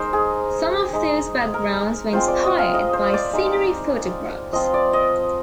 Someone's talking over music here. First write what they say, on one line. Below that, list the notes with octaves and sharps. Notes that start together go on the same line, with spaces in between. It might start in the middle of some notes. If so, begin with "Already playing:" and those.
Some of those backgrounds were inspired by scenery photographs.
Already playing: G#3 D#4 A#4 C5
G#4
G#3 D#4
A#4
G#3 C4 F4 C5
D5
D#5
F5
D#5
C5
D5
G#3 D#4
F3 C4 F4 D#5
D5
D#5